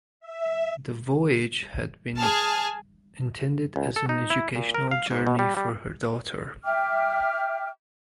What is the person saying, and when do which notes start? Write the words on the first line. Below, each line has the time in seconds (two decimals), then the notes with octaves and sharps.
The voyage had been intended as an educational journey for her daughter.
0.20 E5
2.18 G#4 G#5 A5 F6
3.76 C#2
3.96 A4
4.09 D#4
4.30 E4
4.56 A#2
4.74 A#4
4.91 F5
5.11 G#2
5.27 B2
5.39 G3
5.57 G3
6.65 E5 G5 D6 F6